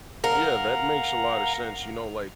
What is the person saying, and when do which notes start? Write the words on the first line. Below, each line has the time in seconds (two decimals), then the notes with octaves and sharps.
Yeah, that makes a lot of sense. You know, like,
0.24 A#4 F5 F#5 A#5